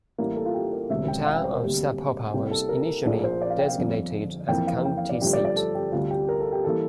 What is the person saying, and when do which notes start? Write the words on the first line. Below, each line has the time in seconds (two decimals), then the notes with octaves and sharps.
The town of Sapulpa was initially designated as the county seat.
0.18 A1 A2 G3 A#3
0.37 A4
0.46 F4
0.54 G4
0.72 A#4
0.90 E1 D2 C3 E5
1.08 G5
1.26 F5
1.35 G5
1.44 C5
1.53 A#4
1.62 D2 C3 G3 A#3 G4
2.34 C2 C3 G3 A#3 G4
2.51 A4
2.69 A#4
3.05 A#1 A#2 F3 A#3 A#4
3.24 C5
3.42 D5
3.50 F5
3.59 G5
3.68 F5
3.78 G1 F2 D3
4.48 F2 E3 A#3 G5
4.67 F5
4.85 G5
4.97 F5
5.09 D5
5.21 G1 G2 F3 A3 G4
5.33 D5
5.45 D5
5.57 A4
5.75 G4
5.92 D2 C3 G3 F4
6.11 G4
6.28 A#4
6.40 A4
6.52 G4
6.64 E3 G3 A#3 A4